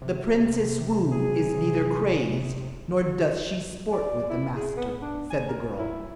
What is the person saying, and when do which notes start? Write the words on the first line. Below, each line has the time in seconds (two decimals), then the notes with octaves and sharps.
"The Princess Woo is neither crazed nor doth she sport with the master," said the girl.
0.02 C3
1.12 F#3 G#4
3.92 D5
4.29 E4
4.56 G#4
4.76 B3
5.02 D4
5.30 G#5
5.48 A#4
5.79 E4